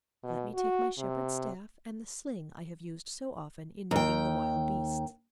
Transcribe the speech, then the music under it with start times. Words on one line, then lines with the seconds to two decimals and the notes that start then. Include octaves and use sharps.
Let me take my shepherd's staff and the sling I have used so often in meeting the wild beasts.'
0.24 B2
0.55 F#4
0.98 C3
3.91 D#2 G5